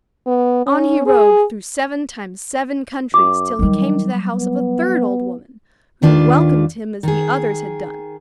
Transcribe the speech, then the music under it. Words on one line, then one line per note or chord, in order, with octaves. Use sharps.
On he rode, through seven times seven countries, till he came to the house of a third old woman, who welcomed him as the others had done.
B3
C#4
G#4
F#2 D6
D#3 F#3 G3
B3
D#2 D#3 D4 F4 B4
D#3 G#4